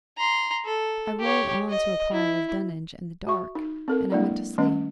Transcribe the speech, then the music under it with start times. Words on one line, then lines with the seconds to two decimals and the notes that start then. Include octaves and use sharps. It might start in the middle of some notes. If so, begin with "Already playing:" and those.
I rolled on to a pile of dunnage in the dark and I went to sleep.
0.18 A#5 C6
0.65 A4
1.20 G4 C#5
1.69 D#5
2.12 E4
3.27 F#4 E5 C#6
3.55 D#4
3.88 C4 A4 A#4
4.12 F#3 G#3 A#3 D4 E4 D5
4.58 D#3 G3 A3 C#4 D#5